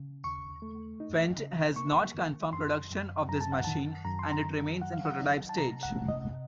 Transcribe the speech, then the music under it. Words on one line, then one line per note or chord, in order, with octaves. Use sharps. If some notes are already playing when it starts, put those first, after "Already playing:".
Fendt has not confirmed production of this machine, and it remains in prototype stage.
Already playing: C#3
D#2 C#6
A3
D#4
C#3
A#3 C#6
D#3
F#2 C6
F#2
F#2 A#5
A5
F#5
D#3 A5
F#2 A#5
C6
A#5
D#3
F#3 F#5
F5
F#5
D#4
A5
C3 A#5
F#5
C3
D#5